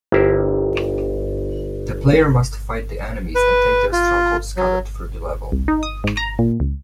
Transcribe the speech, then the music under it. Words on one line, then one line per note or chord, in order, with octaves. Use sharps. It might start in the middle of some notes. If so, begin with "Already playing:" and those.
The player must fight the enemies and take their strongholds scattered through the level.
G1 E4 G4 A#4 C5
B4
F4
F#3
C2
D#4
D#6
G#2
A#5
A#2
C#2